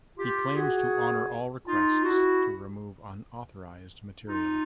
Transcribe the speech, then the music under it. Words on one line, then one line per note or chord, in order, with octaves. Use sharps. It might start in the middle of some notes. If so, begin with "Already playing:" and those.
He claims to honor all requests to remove unauthorized material.
F4 G4
F#4 G#4
D#4 F4
E4 F#4
D#4 F4